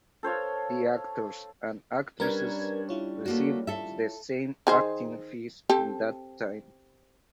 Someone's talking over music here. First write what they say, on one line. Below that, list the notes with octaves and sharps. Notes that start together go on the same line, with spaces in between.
The actors and actresses received the same acting fees in that time.
A4 C5 C#5 F5
G3 C#4 D4 A#4 B4 G#6
E4 F4 C#5
A3 A#3 F#4
A4 E5
D#3 G#4 C5
C4 G4 A4